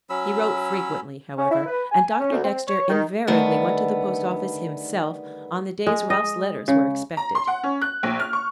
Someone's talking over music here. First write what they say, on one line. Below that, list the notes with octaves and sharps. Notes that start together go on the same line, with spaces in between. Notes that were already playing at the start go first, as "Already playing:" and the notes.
He wrote frequently, however, and Doctor Dexter invariably went to the post-office himself on the days Ralph's letters were expected.
F#3 C#4 B5 E6
C#4
E4
B4
G#5
C#4
D2
C4
C#5
D#3
D3 D#3 G3 A3 B3
G#3
D#5
C#3
A#5
C6
F#5
C#4
F#6
A#1
F6
C#6